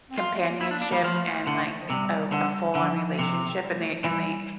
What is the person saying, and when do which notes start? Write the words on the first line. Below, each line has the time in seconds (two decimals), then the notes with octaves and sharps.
companionship and, like, a r a full-on relationship, and they and they
0.10 C4
0.18 A#3 F4
0.31 A3
0.39 C4
0.46 A#3
0.61 A#3 E4
0.71 D4
0.74 A#3
0.81 D4
0.89 G3 A#3
1.03 F3 A3
1.47 D3
1.71 E3
1.80 F3
1.90 C3 G3
2.32 D3
2.69 E3
2.75 D3 F3
3.19 C3
3.62 G3
3.76 A3
3.90 F3
4.04 E3 G3